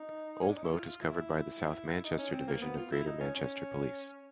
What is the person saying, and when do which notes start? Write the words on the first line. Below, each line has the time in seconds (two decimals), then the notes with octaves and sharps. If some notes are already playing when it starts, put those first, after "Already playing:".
Old Moat is covered by the South Manchester Division of Greater Manchester Police.
Already playing: D#4
0.42 C#4
0.49 D4
0.57 D#4
0.64 E4
0.73 F4
0.86 F4
1.02 E4
2.04 D#4
2.18 C#4
2.33 C4
2.47 A#3
2.62 B3
2.77 F4
2.92 E4
3.06 D#4
3.20 C#4
3.35 C#4